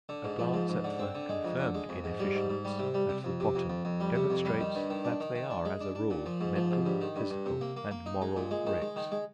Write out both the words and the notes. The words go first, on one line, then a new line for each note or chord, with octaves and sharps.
A glance at the confirmed inefficients at the bottom demonstrates that they are, as a rule, mental, physical, and moral wrecks.
D3
G#2
F3
G#2
G#2
D3
C4
D3
G#3
F2
D3
G#3
F2
G#2
G3
G#2
G#2
G3
C3
G3
C3
F2
C3
F2
F2
F2
G3
C3
F2
G3
D#3
G2
D#3
D4
D#3
D#3
D4
G#3
D4
D4
A#2
F3
G#2
F3
G#2
G2
D#3
G2
G2
C3
A#3
A#3
A#3
D#4
G#3
A#2
G#3
D#3
G#3
D#3
G#3